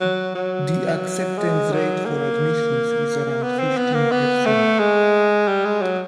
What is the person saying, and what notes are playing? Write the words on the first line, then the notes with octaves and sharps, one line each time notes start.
The acceptance rate for admissions is around fifteen percent.
F#3
F#3
G#3
F#3
A#3
B3
C4
B3
A#3
B3
A3
G#3
G3
G#3
F#3